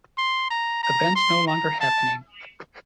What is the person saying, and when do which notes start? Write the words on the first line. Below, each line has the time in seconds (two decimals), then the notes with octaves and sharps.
Events no-longer happening.
0.18 C6
0.51 A#5
0.83 A#5
1.16 C6
1.48 A#5
1.81 A5